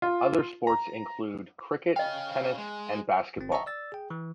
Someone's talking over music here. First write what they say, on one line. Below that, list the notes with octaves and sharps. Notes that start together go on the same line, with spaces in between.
Other sports include cricket, tennis and basketball.
F4
A#5
C#4 D#5 F5 G5
G#3
G1 C4
D#5 E5 A5 A#5 C#6
D5 E6 A6
G#4 G5
E3